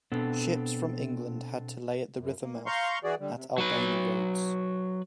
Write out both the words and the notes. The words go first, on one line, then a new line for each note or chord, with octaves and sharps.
Ships from England had to lay at the river mouth at Albany Roads.
B2 B3 C4 D4 A4
F#2
A#3
F5 A#5 C6 C#6 G6
E3 F#4 G#4 D5
D3 G3
C3
F#3 B4